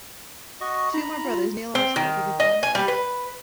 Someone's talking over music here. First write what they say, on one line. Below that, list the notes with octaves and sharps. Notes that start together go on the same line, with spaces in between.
Two more brothers, Neal and Archibald, would be born there.
F#4 D#5 C#6
D#4 A#5 B5
F4
C4
D#3
D#5
G#5
G3
B4